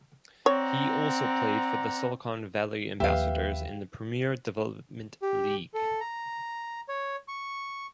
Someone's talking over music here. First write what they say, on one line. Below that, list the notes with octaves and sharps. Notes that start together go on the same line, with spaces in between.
He also played for the Silicon Valley Ambassadors in the Premier Development League.
C4 C#5 D5 F#5 A#5
D#2 F3 A#3 G4 B4 E5 F5
G4
A4
A#5
C#5
C#6